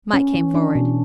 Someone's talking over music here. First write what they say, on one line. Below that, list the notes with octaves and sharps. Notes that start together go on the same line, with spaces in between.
Mike came forward.
C#4
E3
D4
B2